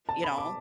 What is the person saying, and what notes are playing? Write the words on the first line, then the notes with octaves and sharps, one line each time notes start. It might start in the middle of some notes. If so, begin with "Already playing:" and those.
you know?
A5
B5
D6